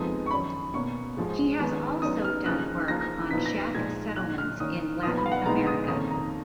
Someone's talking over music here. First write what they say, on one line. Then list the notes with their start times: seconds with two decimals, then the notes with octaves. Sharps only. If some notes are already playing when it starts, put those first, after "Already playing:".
He has also done work on shack settlements in Latin America.
Already playing: F2 F3 G#3 B3 D#4 D#6
0.26 C#6
0.31 F#2 D#3 F#3 C#4 B5
0.74 B2 A#3 C#4 C#6
1.17 G#2 F3 G#3
1.59 D#3 G#3 B3 D#4
2.02 C#3 F#3 B3 D#4 D#6
2.24 F6
2.45 C#3 F3 A#3 D#4 F#6
2.88 C#3 F3 A#3 D#4 A#6
3.31 A#2 F3 B3 D#4 B6
3.46 A#6
3.60 A#6
3.75 A#2 F3 G#3 D#4 G#6
4.16 A#2 F#3 C#4 F#6
4.38 F6
4.60 D#3 A#3 C#4 D#6
5.03 A#2 F3 B3 D#4 D#6
5.17 B5
5.26 F5
5.32 F#5
5.46 A#2 G#3 B3 D#4 A#5
5.67 D#6
5.88 F2 D#3 A#3 C#4 D#6
6.11 A#5